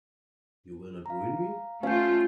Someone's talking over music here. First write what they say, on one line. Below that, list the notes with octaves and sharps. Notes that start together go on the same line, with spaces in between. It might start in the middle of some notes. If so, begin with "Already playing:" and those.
You will not ruin me?
F5 A#5
A3 C#4 F4 G4 F5 F#5 G6